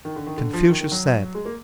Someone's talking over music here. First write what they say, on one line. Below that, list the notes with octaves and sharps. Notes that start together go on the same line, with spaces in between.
Confucius said.
D#3
D3
D#3
D3
F3
D#3
D#3
F#3
G#3
A#3